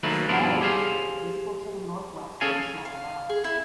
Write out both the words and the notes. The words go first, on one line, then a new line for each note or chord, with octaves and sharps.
A smaller burial is visible to the northwest of the smaller mound.
D#3 F#3 A3 A#3 B4
G2 B2 F3 D4 E4 F4
G4 G#4 C5 F5
C#4 G#4 A4 F5 G#5
F5
G#4
E4